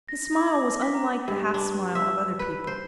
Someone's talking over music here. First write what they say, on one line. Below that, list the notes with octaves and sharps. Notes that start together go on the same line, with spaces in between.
His smile was unlike the half-smile of other people.
A#6
D6
D6
B6
A#5
G2
D4
E5
B4
C5